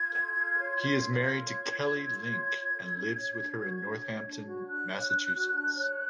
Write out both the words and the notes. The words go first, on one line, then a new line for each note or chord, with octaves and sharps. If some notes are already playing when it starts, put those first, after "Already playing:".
He is married to Kelly Link and lives with her in Northampton, Massachusetts.
Already playing: F4 G#6
A4
F4
C#5
F4
A4
F4 G#6
C#5
F4
A4
F4
C#5
F4
A4
D4
C#5
D4
F#4
D4
C#5
D4
F#4
D4 F#6
C#5
D4
F#4
D4
C#5